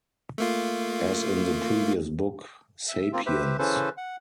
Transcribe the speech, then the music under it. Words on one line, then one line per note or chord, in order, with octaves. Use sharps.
As in the previous book, “Sapiens.
A3 A#3 F4
E5
A#3 C4 F4
G4 B4 C5 E5
C#3 E3 C#4 A4 B4 C5
F#5